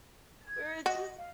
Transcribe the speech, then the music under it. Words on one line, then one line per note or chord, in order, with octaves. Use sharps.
we were just
G#6
F#4 D#5
F5